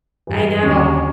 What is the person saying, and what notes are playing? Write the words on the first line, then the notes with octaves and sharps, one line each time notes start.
I know.
G2 E3
D#2 D3 F#3 C#4